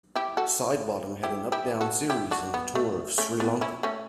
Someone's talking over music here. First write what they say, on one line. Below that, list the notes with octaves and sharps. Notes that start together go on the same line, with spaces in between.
Sidebottom had an up down series in the tour of Sri Lanka.
E4 G4
F#4 A4
E4 G4
E4 G4
F#4 A4
E4 G4
D4 F#4
B3
A3
A3 C#4
B3 D4
C#4 E4
A3 C#4